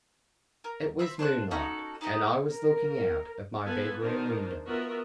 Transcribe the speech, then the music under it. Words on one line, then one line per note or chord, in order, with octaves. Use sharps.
It was moonlight and I was looking out of my bedroom window.
A#4
C4 E5 B5
D4 C5 C#6 F#6
C#4 D#4 F#4 A4
D#4 F#4 G4 D#5
A#4
B3 F4 A4 B4 G#5
D#3 D4 D#4 A#4 C5
B3 F4 F#4 A#4 D#5 E5